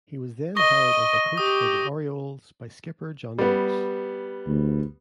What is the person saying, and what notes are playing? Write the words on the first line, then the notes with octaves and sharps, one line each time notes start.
He was then hired as a coach for the Orioles by skipper Johnny Oates.
D#5 C#6 A#6 G7
D#7
G4 D#6
G3 B3
D2